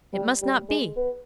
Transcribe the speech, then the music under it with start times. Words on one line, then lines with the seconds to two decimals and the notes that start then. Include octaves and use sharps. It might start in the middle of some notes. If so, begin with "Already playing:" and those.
It must not be!
0.13 G3
0.42 G3
0.69 G#3
0.96 B3